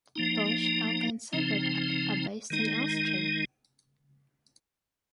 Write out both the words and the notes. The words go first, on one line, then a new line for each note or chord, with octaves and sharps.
Bush, Alba and Cyber-Duck are based in Elstree.
F3 A#3 D#4
C#3 F3 C4 D#4
D#3 G#3 D#4